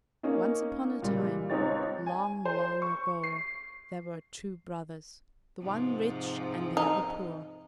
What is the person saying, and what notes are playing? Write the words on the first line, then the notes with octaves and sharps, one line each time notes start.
Once upon a time, long, long ago, there were two brothers, the one rich and the other poor.
A#3 C#4 D#4
A#2 C#3 G3 G#3
C#2 C4 D#4 C#5 A6
G#5
C5
C#6
C7
G#2 C3 F3
D#4